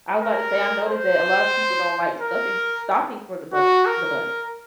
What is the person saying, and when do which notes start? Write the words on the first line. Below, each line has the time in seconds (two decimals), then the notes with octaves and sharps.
I was about to say I noticed that a lot of people don't, like, stuffing stopping for the bus the bus.
0.21 A#4
0.87 C5
2.20 A#4
3.53 F#4
3.86 A#4